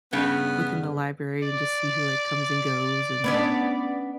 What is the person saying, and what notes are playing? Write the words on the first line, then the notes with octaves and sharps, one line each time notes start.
look in the library and just see who," like, "comes and goes and
G2 C#3 B3
D5
B3 C#4 D4